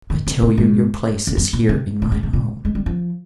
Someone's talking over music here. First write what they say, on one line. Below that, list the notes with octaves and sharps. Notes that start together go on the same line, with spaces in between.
I tell you, your place is here in my home.
D#3
D3
C3
G#2
F2
G2
A#2
C3
A#2
G#2
G#2
A#2
G#3
G3
F3